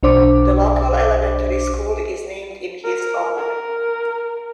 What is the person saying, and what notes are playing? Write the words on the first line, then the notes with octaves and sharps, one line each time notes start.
The local elementary school is named in his honor.
B1 D4 C5 D6
A#4
A#4